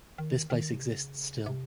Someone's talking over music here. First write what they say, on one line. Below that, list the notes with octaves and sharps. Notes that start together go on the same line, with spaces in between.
This place exists still.
D#3
D#3
C3
C#3
C3